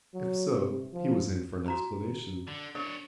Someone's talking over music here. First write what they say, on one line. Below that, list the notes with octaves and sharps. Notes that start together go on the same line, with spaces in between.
If so, he was in for an explanation.
F#3
C3
F3
F#4 A#5 B5
D3
D4 A#4 C#5